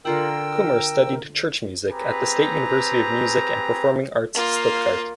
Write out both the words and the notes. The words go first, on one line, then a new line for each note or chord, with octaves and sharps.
Kummer studied Church music at the State University of Music and Performing Arts Stuttgart.
D3 F4 A#4 F#5 G5 E6
C4 G4 G#4 B4 G#5 A#5
A#3 F4